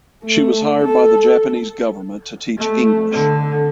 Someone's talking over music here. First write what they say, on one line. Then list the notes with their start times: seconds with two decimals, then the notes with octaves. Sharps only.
She was hired by the Japanese government to teach English.
0.24 A3
0.84 A4
2.57 A3
3.12 D3